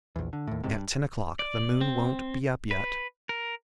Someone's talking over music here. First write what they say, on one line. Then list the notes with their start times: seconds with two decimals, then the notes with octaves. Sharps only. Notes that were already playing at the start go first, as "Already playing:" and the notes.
At ten o'clock the moon won't be up yet.
0.16 A#1 E2
0.33 D3
0.47 D#2 A2
0.64 F#1 C2 G#2 C3
0.75 G2
1.39 D5
1.81 C4
2.71 B4
3.29 A#4